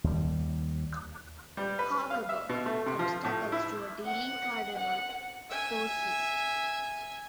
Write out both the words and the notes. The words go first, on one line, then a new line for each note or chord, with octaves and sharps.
However, obstacles to a daily "Cardinal" persist.
D#2 G3
G3
B4
F5
E5
B2
A3
C3
F3
A2
E4
F#5
F#5
E5 G#5